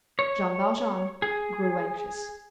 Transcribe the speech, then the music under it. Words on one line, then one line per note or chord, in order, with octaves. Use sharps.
Jean Valjean grew anxious.
C#5
G#4